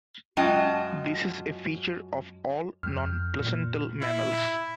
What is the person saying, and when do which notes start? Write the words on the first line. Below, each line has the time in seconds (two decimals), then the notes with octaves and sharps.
This is a feature of all non-placental mammals.
0.37 F#2 G#3 F4 D#5 G5 A5
2.83 F2 F6 G6
3.39 A#2
4.01 E4